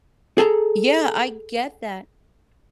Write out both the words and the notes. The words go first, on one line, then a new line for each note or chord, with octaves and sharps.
Yeah, I get that.
G#4 A4 G#5 A#5